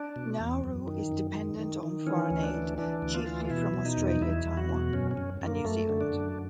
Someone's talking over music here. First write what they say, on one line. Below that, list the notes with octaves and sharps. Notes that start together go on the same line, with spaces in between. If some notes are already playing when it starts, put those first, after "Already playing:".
Nauru is dependent on foreign aid, chiefly from Australia, Taiwan and New Zealand.
Already playing: D4
B2
E2
F#2
D#3
F#2
D#3
D#3
D#3
E3 C#4
D2
D4
E3
E3 D4
D2
F4
E3
F4
B2 E4
B2
D#4
E2
E2 E4
E2
F#4
B2
F#2 C#4
C#4
F#2
F#2
A#3
F#2 A3
D3
D4
F#2